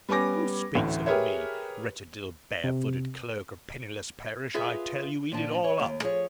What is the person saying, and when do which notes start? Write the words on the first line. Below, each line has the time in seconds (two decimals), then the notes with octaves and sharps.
Who speaks of me? Wretched little barefooted clerk of Penniless Parish, I tell you, eat it all up!
0.09 G3 B3 C#4 G#5 D6 A#6
0.75 A1 D2 A2
1.06 G4 G#4 A#4 B4 C#5 E5
2.64 C3
4.54 F4 G#4 B4 E5
5.32 A#2 D#3 F3 D4 A5
5.64 C#5
5.80 D#2
6.03 F3 G#4 C#5